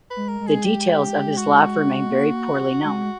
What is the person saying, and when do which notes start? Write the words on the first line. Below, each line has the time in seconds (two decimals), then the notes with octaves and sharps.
The details of his life remain very poorly known.
0.10 B4
0.16 G#3
0.29 A#4
0.41 G#3
0.47 G#4
0.65 G4
1.38 F#4
2.11 A#3
2.84 G#3